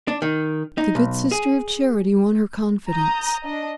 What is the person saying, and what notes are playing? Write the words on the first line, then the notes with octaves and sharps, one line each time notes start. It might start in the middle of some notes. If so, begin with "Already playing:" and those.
The good Sister of Charity won her confidence.
D4
D#3
D#4
B1
G#4
A#5 D#6 G6
D4 D#5